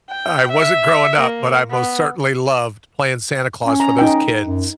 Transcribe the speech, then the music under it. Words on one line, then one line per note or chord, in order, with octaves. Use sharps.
I wasn't growing up, but I most certainly loved playing Santa Claus for those kids,
G5
E5
A#3
B3
C#4
A#5
D#4 G5
F#2